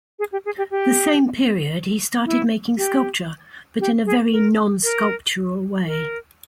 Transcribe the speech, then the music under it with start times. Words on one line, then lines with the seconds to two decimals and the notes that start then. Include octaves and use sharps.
The same period he started making sculpture, but in a very not-sculptural way.
0.19 G#4
0.32 G4
0.45 G#4
0.58 G4
0.71 G4
2.25 E4
2.77 G4
3.80 G4
4.06 G#4
4.32 A#4
4.83 A#4
5.86 A#4